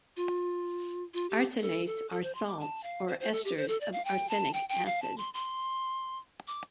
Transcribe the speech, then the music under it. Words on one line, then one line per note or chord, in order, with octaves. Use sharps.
Arsenates are salts or esters of arsenic acid.
F4
F4
G4
A4
A4
A4
C5
C6
D6
A5
F5
C5
C5
A4
G4
C5
A4
D5
F5
G5
A5
G5
G5
F5
A5
C6
C6
D6